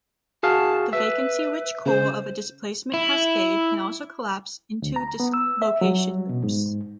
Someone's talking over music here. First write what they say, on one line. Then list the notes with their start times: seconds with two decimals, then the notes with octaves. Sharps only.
The vacancy-rich core of a displacement cascade can also collapse in to dislocation loops.
0.43 F#4 G#4 F5 A5
0.93 B4 E5
1.86 C#3 C5
2.94 E4
4.82 D2
4.96 A#5
5.20 B3
5.34 E6
5.62 E5
5.81 F#3
6.29 B2
6.43 G#2